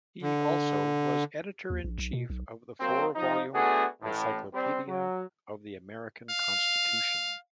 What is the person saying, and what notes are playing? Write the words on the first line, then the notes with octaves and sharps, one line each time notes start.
He also was editor-in-chief of the four-volume "Encyclopaedia of The American Constitution".
D3
D#2
A#1
B1
B2
B1
F#3 A#3 C4
F3 D#4
A3 B3 D4 F#4 G#4
A1 A2
G3 C4
F#3
F5